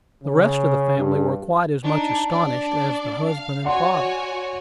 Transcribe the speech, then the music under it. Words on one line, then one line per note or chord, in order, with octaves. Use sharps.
The rest of the family were quite as much astonished as the husband and father.
C#3
G2
D4 D#4
D4 D5
F5
F#4 C#5 D5 F#5 G#5 C6